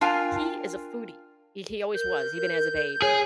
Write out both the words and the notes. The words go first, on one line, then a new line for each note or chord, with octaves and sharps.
he is a foodie. He he always was, even as a babe.
D4 F4 A#4 F5 G5 G#5
A#4 G6
G#4 C#5